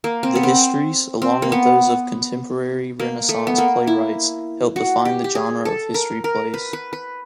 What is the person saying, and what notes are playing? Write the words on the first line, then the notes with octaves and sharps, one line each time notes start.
The histories-along with those of contemporary Renaissance playwrights-help define the genre of history plays.
A#3
C4
B3
C4
C4
A#3
B3
A#3
A3
B3
A#3
E4
F#4
G4
G4
G#4
A4
A#4
A#4
B4
B4
B4